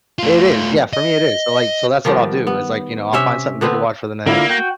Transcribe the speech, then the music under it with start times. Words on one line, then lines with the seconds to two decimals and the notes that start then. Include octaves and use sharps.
It is yeah, for me, it is, so like so, that's what I'll do is, like, you know, I'll find something good to watch for the night,
0.19 A3 F4
0.93 D#5
2.05 D#3 F3 G3 B3
2.47 B3
3.13 C3 C#4 E5
3.61 D3 B3 C4 B4
4.26 D3 A#3 E4 F4
4.49 F#4 G5